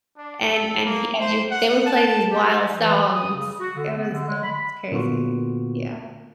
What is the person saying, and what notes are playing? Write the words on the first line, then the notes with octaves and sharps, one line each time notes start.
and and he and j they would play these wild songs, it was it was crazy. Yeah.
D4
A4
A#3
C5
F#5
A5
G4
E3
D#6
C#3
F#4
D3
B3
D3
G#3
B5
A#2 D3 A#3 B3 F4 F#4